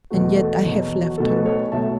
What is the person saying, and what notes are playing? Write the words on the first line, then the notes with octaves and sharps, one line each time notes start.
And yet I have left him.
E2 B2 A3 F#4
A4
E2 B2 F#3
F#4
B1 B2 A3 A4
B4
A4 C#5
B1 B2 A3 E5 A5